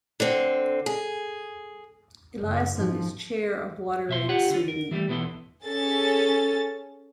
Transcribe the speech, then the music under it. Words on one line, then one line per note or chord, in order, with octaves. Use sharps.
Eliasson is Chair of WaterAid Sweden.
D3 C4
G#4
F#1
G#2 F3
B2 E5 C6
F4 G4 C#5 F#5
D3 F4
A#4
E3 F#3 G3 A3
B1 E3 B3 E4 A4 C6
C#4 G#4 A4 A6